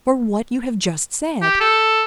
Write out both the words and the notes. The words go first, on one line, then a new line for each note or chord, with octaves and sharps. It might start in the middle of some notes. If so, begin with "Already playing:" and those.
"For what you have just said."
G4
A4